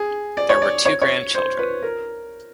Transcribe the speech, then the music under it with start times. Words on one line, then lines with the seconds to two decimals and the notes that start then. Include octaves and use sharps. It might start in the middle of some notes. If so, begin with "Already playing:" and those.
There were two grandchildren.
Already playing: G#4
0.37 D5
0.50 C#5
0.62 D5
0.85 C#5
1.02 C#5
1.34 C5
1.59 B4
1.82 A#4